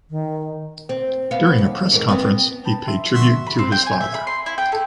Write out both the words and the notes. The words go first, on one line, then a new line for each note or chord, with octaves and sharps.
During a press conference, he paid tribute to his father.
D#3
C4
B3 F5
D#2
F2 G#2 A#4
B3 C4
G5 A5 B5
E5 C6
G#2 D3 F3 F#4 E5 C6
B5
C4
G5
G#5
E5
B5
C6
E4
G5
A4